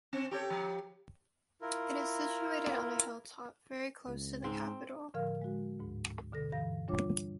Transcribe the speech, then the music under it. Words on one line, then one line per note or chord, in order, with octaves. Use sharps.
It is situated on a hilltop, very close to the capital.
C4
G4 A4 C#5
F3 G4
E4 F4 A#4
C#2
G#2 C4
A2 D3 F3 A#4 F5 F6
G#3 F#4
D2 G#2
B2 D3 A4 A#6
G2 E3 F5 A#6
G3 D4 F4 C#5 D6